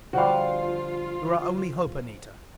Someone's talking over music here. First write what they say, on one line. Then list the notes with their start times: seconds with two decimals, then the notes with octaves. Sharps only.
You're our only hope, Anita!
0.13 D3 F3 G3 F4 F#4 F5